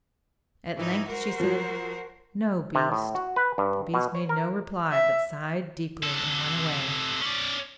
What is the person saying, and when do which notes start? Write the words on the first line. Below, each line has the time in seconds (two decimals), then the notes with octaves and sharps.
At length she said, "No, beast." The beast made no reply, but sighed deeply, and went away.
0.77 G#2 E3 D#4
1.07 F#4 A#4 C5
1.40 F3 F#3
2.75 C3
2.92 A2
3.15 F#4
3.36 B4
3.58 G2
3.94 B2
4.15 C#5
4.29 A#4
4.92 E5
6.03 C3 A4
7.22 C#4 D5